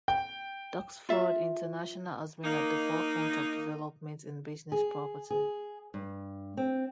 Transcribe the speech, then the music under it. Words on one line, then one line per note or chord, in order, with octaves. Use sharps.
Doxford International has been at the forefront of developments in business property.
G5
F4 E5
A#3 D#4
G#4
G#4
G2
C4